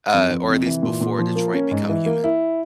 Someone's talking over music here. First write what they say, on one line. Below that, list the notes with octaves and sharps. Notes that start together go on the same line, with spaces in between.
uh, or at least before Detroit: Become Human,
F2
F2
C3
E3
A#2
A#2
F3
A#3
C#4
G#2
E3
A#3
E4